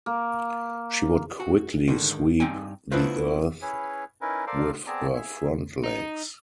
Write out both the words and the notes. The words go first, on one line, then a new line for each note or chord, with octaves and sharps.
She would quickly sweep the earth with her front legs.
A#3
F#4
G#2 D3 D#3
G2 C4 D#4 G5 G#5
B3 D4 E4 F4 B4 C5
C#4 E4 G#4 B4 C#5
C#4 D#4 E4 A#4 B4
A4 A#4 C5 D5 F5
B3 C4 G#4 D5 A5 A#5
G#4 E5
D#4